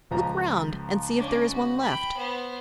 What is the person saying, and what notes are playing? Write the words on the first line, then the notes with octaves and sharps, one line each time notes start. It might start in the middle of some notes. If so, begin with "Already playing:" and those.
Look round and see if there is one left.
C#2 F3 A#5
C#4 D4
F#4
G5 B5
B3 C5